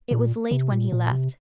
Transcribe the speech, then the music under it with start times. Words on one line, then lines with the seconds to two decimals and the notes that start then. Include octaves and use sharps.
It was late when he left.
0.11 A#2
0.51 C3
0.72 A#2
0.92 A#2
1.12 C3